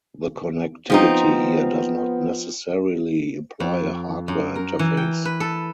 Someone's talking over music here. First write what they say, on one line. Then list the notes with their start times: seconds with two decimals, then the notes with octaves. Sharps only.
The connectivity here does not necessarily imply a hardware interface.
0.90 F3 B3 C4 D#4
3.60 F2
4.28 F#2
4.55 A#4
4.79 E3
4.97 G5
5.25 B4
5.40 A4